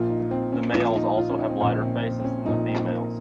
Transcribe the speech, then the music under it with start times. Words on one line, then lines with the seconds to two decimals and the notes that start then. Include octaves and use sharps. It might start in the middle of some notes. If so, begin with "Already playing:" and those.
The males also have lighter faces than the females.
Already playing: A#1 A#2 F3 F4
0.10 D#4
0.31 C4
0.52 C#4
0.74 A#1 A#2 F3 F4
0.95 D#4
1.17 F4
1.30 C#4
1.38 D#4
1.50 C4
1.60 A#1 A#2 F3 C#4
1.81 C4
2.03 C4
2.20 C4
2.25 C#4
2.46 A#1 A#2 F3 D#4
2.68 C4
2.89 A#3